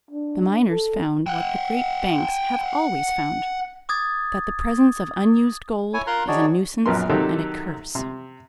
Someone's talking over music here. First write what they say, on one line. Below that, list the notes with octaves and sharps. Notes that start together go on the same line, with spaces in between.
The miners found what the great banks have always found, that the presence of unused gold is a nuisance and a curse.
D4
A4
F#5 G5
D6 D#6 G#6 A6
E4 C#5 G#5
F4 A#4 A#5 C6 F#6
D4 D#4 F#4 G#4 C#5 D5
A#1 F#2 B3 A#4 C6
C3 D#3 F#3 D#4 G4 A4
C3